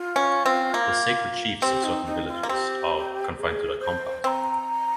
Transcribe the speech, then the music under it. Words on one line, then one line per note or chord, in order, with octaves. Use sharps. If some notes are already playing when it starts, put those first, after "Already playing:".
The sacred chiefs of certain villages are confined to their compounds.
Already playing: F4
C#4
C4
A#3
C4 G4
D#4
D#4
F4
A#3
C4 G4
G#4
C5
C4 A#5 C6